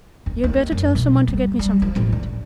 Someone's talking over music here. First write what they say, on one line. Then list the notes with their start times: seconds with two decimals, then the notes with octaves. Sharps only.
You had better tell some one to get me something to eat.
0.26 E2
0.44 D#2
0.72 F#2
0.95 B1
1.28 G3
1.59 G3
1.82 F3
1.96 A1
2.12 D3